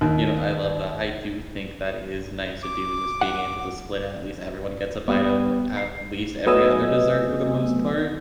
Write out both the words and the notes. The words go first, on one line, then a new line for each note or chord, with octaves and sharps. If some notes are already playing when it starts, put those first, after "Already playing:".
You know, I love that, I do think that is nice to do, just being able to split at least everyone gets a bite of at least every other dessert for the most part.
D#2
D6
F#5
G3 B3
C7
F#3 A3 B3 D#5 G#5 E6